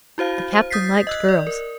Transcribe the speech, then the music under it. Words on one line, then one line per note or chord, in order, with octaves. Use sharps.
The Captain liked girls.
E4 F#4 C5 F5
C5
D#6 G6 A6 B6 C7
D#5 E6 F#6
D5
A#4